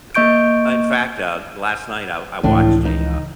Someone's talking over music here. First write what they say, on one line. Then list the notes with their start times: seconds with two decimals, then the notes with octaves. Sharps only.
uh, eh In fact, uh, last night I I watched a, uh
0.15 A#3 D#5 C#6 G6 D7
2.43 C#2 A2 E3 F3 D4
2.85 D#4